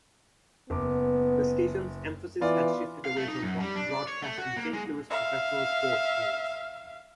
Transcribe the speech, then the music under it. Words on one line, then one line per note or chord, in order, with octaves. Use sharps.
The station's emphasis had shifted away from broadcasting Saint Louis professional sports teams.
F#1 B3 D6
E3 B3 F4 D5
F5
A3
D#4
F#2
G3
D4
D5
C#5
A3
F#4
A#3
G#3
E5 F5